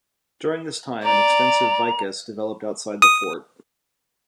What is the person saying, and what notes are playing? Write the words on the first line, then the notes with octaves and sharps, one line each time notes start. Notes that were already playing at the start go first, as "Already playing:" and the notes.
During this time, an extensive vicus developed outside the fort.
D5 A#5
D#6